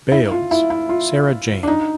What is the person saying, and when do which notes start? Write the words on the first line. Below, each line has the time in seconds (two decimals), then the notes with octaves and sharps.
Bailes, Sara Jane.
0.12 E4
0.31 F4
0.51 E4
0.70 E4
0.89 F4
1.63 D4
1.68 D#4